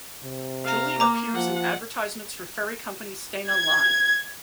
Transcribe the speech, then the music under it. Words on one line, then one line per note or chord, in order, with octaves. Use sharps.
Joly appears in advertisements for ferry company Stena Line.
C3
F5 A#5
A#3 A#5 D6
F3 F#5
G#6